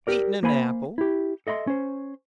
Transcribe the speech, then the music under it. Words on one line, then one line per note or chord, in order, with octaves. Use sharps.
"Eatin' 'n apple."
G4 A#4 D5
A#3 C5 G#5 B5
E4 G4
A4 D#5 E5 B5 C6
C#4 C5